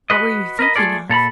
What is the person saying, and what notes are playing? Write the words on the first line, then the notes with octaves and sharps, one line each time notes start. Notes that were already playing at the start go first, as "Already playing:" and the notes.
"What were you thinking of?"
F#4 B4 D#5
A#4 B4 D#5
A3 F4 G#4 A4 D5
A#2 A4 A#5 B5